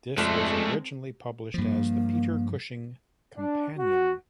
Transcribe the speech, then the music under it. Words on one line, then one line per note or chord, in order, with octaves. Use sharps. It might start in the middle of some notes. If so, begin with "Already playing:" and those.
This was originally published as "The Peter Cushing Companion".
F2 G#3 A3 D5
G2 F3 A#3
D4
F#4